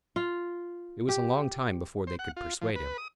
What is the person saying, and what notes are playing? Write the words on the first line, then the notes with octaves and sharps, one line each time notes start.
It was a long time before they could persuade him.
F4
G4
C5
F#5
F4
F3
B4
D#6